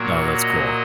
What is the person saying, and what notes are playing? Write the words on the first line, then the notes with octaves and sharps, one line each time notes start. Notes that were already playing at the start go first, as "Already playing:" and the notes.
Oh, that's cool.
Already playing: A#2 F#3 A#3 C#5
D#5